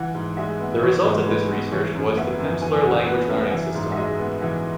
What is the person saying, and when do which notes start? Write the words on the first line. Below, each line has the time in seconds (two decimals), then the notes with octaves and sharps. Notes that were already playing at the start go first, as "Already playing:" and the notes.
The result of this research was the Pimsleur language learning system.
Already playing: E3 F#5
0.14 G#2
0.37 G#3 E5
0.60 B3
0.82 E3 C#5
1.04 G#2
1.27 G#3 B4
1.50 B3
1.72 E3 C#5
1.94 F#2
2.17 B3 E5
2.39 F#2
2.62 E3 G#5
2.84 F#2 F#5
3.07 B3 F#5
3.29 F#2 E5
3.51 E3 E5
3.75 G#2
3.92 E5
3.96 G#3 D#5
4.19 B3
4.41 E3 E5